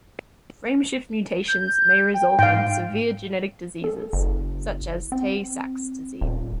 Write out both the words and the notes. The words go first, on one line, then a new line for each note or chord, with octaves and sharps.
Frameshift mutations may result in severe genetic diseases such as Tay-Sachs disease.
G6
G5
G#2 F5 G5
A4
F#1
C4
D#1